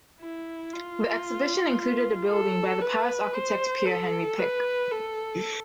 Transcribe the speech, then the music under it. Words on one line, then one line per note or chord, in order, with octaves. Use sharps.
The Exhibition included a building by the Paris architect Pierre-Henri Picq.
E4
F4
A4
B4
C5
A4
B4
A4